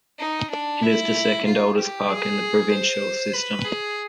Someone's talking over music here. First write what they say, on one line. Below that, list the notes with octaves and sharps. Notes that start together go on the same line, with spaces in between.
It is the second oldest park in the provincial system.
D#4
D4
E4
F4
G4
G#4
C5
B4
G#4